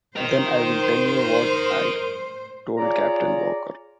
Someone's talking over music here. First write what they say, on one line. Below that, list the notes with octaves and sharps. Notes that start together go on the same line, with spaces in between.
Then I will tell you what I told Captain Walker.
A#4 C5 D#5
F4 G#4 C#5 D5 A#5